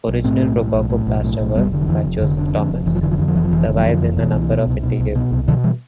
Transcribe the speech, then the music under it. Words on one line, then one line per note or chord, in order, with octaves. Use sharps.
Original rococo plasterwork, by Joseph Thomas, survives in a number of interior rooms.
B1
A2 A3 C4
B1
A2
B1
A2
B1
A2
B1
F1 G3 B3
D3
F3
F2 E3
F1
F1 D3
D3
F2
F1
F1 E3
F3
D3 E3
F3
F2 E3
F3
F1 E3
F3
F1 E3
F3
D3 E3
F3
F2 E3
F3
F1 E3
B2 E3
C2
B2
C2
B2
C2
B2
C2
B2 D3 F3
E3 G3